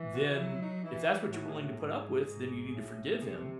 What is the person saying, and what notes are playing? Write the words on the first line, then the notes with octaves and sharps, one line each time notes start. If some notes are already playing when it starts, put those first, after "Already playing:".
Then, if that's what you're willing to put up with, then you need to forgive him.
Already playing: E3
F#4
F#3 E4
D#4
E3 E4
A2 F#4
G#4
F#4
A4
G#2 G#4
G#2
A2
C3 G#4
A4